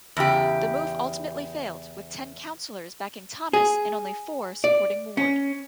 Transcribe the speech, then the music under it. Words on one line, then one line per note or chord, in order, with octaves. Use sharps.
The move ultimately failed, with ten councillors backing Thomas and only four supporting Ward.
E2 C#3 G4
G#4
D5
C#4